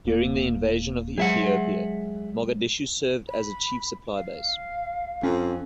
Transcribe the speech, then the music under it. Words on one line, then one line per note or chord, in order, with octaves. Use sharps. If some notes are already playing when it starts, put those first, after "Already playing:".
During the invasion of Ethiopia, Mogadishu served as a chief supply base.
D#1 A#3
F#3 G#3 G#4 E5 F#5
B5
F5
F2 C#4